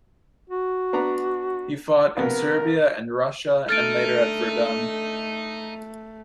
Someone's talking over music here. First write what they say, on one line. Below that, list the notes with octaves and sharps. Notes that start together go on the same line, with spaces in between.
He fought in Serbia and Russia and later at Verdun.
F#4
B3 D4 A#5
A#1 C3 B3 A#4
D3 A3 D#4 F6 A6 D7